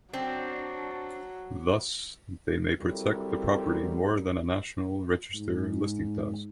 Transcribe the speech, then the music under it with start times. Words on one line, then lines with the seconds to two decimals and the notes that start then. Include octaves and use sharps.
Thus, they may protect the property more than a National Register listing does.
0.13 F#3 C4 D4
2.80 F#3 G3 C4 E4 A4 A#4
5.34 G#2